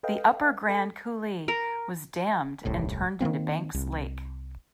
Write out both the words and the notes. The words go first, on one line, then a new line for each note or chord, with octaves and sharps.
The Upper Grand Coulee was dammed and turned into Banks Lake.
A4 B4 D#5 F5 G5
A4 G#5
A#4
D#1 C2 A2
D#3 F#3 A#3 C4
C2